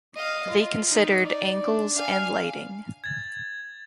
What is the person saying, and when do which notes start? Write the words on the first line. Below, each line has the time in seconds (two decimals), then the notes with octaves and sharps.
They considered angles and lighting.
0.17 D#5 F5
0.50 F4
0.91 D#4
1.23 D5
1.64 D4
1.96 F5 G#5
3.04 G#6 A6